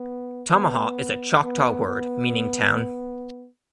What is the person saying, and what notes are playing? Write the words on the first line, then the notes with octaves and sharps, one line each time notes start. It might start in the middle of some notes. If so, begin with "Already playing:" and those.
Tamaha is a Choctaw word meaning town.
Already playing: B3
B3
B3
B3